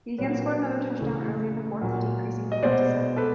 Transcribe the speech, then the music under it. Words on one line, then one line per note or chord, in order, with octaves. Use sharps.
He again scored another touchdown early in the fourth decreasing the lead to seven.
A#2 F#3 A#3 B4 C#5
C#3 E3 A3
A#2 F#3 A#3
D#5
B2 G#3 B3 C5 D5
A4 B4